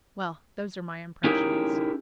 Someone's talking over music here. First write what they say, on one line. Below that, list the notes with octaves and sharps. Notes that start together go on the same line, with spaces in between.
Well, those are my impressions.
C#4 D#4 E4 G4 G#4 A#4